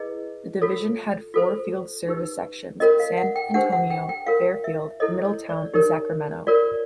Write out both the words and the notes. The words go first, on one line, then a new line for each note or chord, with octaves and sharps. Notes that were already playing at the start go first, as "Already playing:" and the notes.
The division had four Field Service Sections: San Antonio, Fairfield, Middletown, and Sacramento.
Already playing: E4 G#4 B4 D#5
F4 A4 C#5
F4 A4 C5
D#4 G4 B4
C#4 F4 A#4 C#5 D#5
F5
F#5
G5
D4 G4 C5 F#5
F#5
G5
G5
F4 A#4 C#5 F5
E5
E4 A4 C#5 D#5
C#5
D5
D#4 G4 A#4 C#5
F4 A#4 C#5 D5